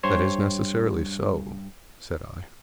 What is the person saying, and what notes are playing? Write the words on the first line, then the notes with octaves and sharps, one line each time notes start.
'That is necessarily so,' said I.
G2 C5 C#5